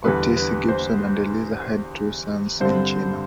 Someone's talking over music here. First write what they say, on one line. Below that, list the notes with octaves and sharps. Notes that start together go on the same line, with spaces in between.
Otis Gibson and Eliza had two sons in China.
E2 D3 G3 B4
B4
C5
G2 D3 G3 C4 C5